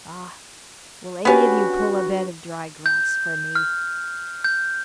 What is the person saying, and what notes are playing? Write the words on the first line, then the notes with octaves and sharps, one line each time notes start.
Ah, will any of you pull a bed of dry grass for me?
B3 C#4 D4 F#4 G4 B4
G6
F6
G6